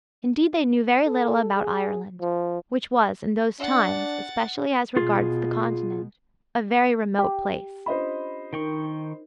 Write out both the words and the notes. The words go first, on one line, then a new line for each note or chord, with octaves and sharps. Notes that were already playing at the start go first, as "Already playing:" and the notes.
Indeed they knew very little about Ireland, which was, in those times, especially as regards the Continent, a very remote place.
A4
G#4
F3
D4 F#5 A6
B2 F4 G#4
G4
C#4 D4 F4 C5 D#5 B5
D#3 D#4 A#4 G5 C#6